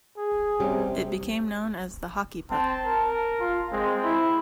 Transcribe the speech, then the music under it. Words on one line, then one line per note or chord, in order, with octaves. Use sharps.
It became known as "the hockey puck".
G#4
C3 G3 C#4 G4
C4 A5
A#4
F4
G#3 C4
E4